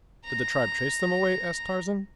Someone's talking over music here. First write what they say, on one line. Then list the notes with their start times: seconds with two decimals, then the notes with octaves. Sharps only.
"Did the tribe chase them away?" asked Tarzan.
0.25 A#5